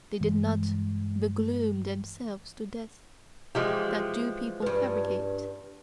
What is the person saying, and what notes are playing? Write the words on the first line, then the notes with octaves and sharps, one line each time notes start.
They did not "begloom" themselves to death--that do people fabricate!
G2 E3 G#3
E3 F3 G#3 G4
G2 C#4 B4